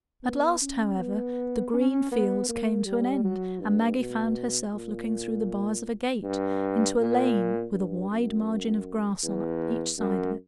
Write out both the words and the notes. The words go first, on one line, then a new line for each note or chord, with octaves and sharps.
At last, however, the green fields came to an end, and Maggie found herself looking through the bars of a gate into a lane with a wide margin of grass on each side of it.
B3
C#4
B3
C#4
B3
A#3
G3
F#3
G2
B2
A#2
G2
A#2
G2
F#2
E2
F#2